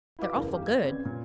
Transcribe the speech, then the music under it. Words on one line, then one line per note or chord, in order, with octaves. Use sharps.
"They're awful good."
E4 F#4 B4 F5 D6
F#1 E2 A#4
G4 F5
G#6
C4 C#4 B4 D5
A#2